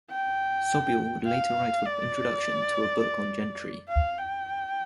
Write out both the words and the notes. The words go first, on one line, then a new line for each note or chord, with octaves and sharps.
Sobule would later write the introduction to a book on Gentry.
G5
F5
D5
F5
G5